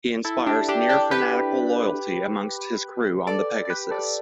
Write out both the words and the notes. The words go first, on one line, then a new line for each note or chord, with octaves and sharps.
He inspires near-fanatical loyalty amongst his crew on the Pegasus.
E4 A4
D4 G4
D4 G4
D4 G4
G4 B4
A4 D5
D5
G4 B4
A4 D5